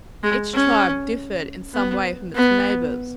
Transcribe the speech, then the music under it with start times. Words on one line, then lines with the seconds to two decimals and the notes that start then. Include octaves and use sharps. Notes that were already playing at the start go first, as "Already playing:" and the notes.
Each tribe differed in some way from its neighbors.
0.23 G#3
0.54 C#4
1.74 B3
2.34 B3